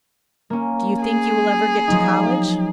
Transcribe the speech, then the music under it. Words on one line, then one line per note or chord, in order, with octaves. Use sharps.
"Do you think you will ever get to college?"
A#3 C#4
G#4
F3 F#3 D#4